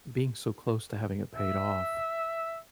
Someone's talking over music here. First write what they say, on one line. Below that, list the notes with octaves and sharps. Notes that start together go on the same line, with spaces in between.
being so close to having it paid off,
E5